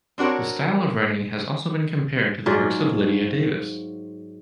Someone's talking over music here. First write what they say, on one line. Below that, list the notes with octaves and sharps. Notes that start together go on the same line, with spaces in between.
The style of writing has also been compared to the works of Lydia Davis.
C4 D4 F#4 A#4 C#5
G#2 F#3 F4 D5